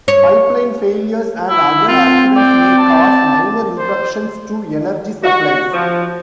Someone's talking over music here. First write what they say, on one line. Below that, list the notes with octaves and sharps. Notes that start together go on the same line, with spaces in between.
Pipeline failures and other accidents may cause minor interruptions to energy supplies.
C#5
E4
C4 F4
D5 G5
A5
C5
F#4
F3